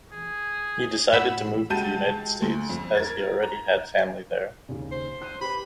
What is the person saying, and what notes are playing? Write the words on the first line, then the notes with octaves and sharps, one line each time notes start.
He decided to move to the United States as he already had family there.
G#4
A2 F#5 B5 E6
C#2 F#4 G4 A5 G6 D#7
D2
F2
A#4 G#6 A6
A#5
D#2 C#3
C5
F#6 C7 D#7
G4 B4 B5